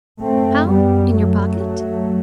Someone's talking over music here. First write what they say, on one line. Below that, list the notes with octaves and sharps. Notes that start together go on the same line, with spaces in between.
"How--in your pocket?"
F#2 A3 C4
G3 B3
F#3 A3